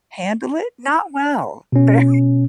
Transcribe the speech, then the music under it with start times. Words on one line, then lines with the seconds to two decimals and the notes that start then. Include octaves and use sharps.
handle it? Not well, very,
1.72 B2 C#4